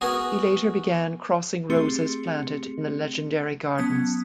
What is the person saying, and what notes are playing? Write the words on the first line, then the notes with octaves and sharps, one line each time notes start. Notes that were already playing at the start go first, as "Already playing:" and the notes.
He later began crossing roses planted in the legendary gardens.
B3 F#4 G#4 A#4
A3 C4 G4 G#4 C6 C#7
F#3 B3 C#4 A5 D#6 G#6